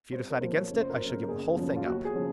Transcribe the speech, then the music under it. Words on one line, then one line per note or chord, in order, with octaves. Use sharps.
If you decide against it, I shall give the whole thing up.
C2 C5
A#4
A#2 F3 C5
C#5
F#1
C5
A#4
F#2
C#3
A#4
A#4
F#1 G#4
F#2 C#3 F3
F4
D#2 F#4
G#4
C#3 F3